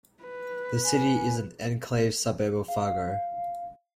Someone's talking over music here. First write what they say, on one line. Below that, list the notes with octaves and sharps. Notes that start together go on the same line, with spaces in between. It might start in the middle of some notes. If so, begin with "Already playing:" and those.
The city is an enclave suburb of Fargo.
B4
G#5
F5